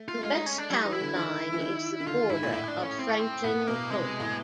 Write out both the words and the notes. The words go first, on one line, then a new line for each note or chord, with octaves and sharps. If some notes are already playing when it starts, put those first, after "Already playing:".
The west town line is the border of Franklin County.
Already playing: A3
F4
A3
G#3 F4
D#4
C#4
D4
G3 E4
E3 D#4
E4
D3
D#3
E3
D#3
D#3
D3 F4
G#2 E4
A#2
A2 E4
D4
C#4
C4
C#4
C4
A2 B3
B2 A#3
C3 G#3
A2